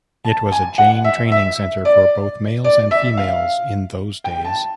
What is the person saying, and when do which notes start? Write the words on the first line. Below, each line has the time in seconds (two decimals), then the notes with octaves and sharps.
It was a Jain training centre for both males and females in those days.
0.25 A5
0.52 G#5
0.78 F#5
1.04 E5
1.32 E5
1.85 D5
2.64 D5
2.91 E5
3.17 F5
4.24 G5
4.45 A5